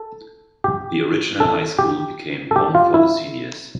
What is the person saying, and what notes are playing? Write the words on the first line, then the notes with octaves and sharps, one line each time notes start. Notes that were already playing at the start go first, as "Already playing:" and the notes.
The original high school became home for the seniors.
Already playing: A4
G4
A4
G4
A4
G4
F4
E4